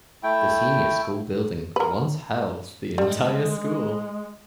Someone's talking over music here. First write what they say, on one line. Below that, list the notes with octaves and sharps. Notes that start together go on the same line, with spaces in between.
The senior school building once housed the entire school.
A3 E4 G5
A#4 B4
G3 G#3